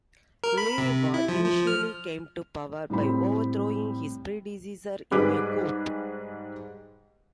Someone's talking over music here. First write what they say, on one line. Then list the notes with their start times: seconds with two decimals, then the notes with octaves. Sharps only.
Leiva initially came to power by overthrowing his predecessor in a coup.
0.44 A#4
0.58 B5
0.78 C3
1.14 E4
1.29 F3
1.44 F3
1.67 F6
2.90 A2 G3 C4 B5
5.11 G#2 G3 G#4 B4 D6 F#6